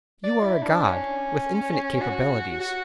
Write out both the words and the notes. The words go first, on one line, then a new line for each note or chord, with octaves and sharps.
You are a god, with infinite capabilities.
D5
E4
D4
C#4
F#4
F#4